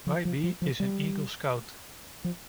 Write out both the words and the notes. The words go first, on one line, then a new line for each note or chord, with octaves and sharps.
Bybee is an Eagle Scout.
F3
F3
F3
F3
G3
F3